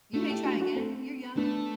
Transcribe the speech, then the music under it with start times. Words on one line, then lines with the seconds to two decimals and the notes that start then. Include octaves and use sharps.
You may try again, you're young.
0.14 A3 D4 F#4
0.30 E4 G4
0.45 D4 F#4
0.60 D4 F#4
0.76 A3 C4
1.37 A3 B3 D4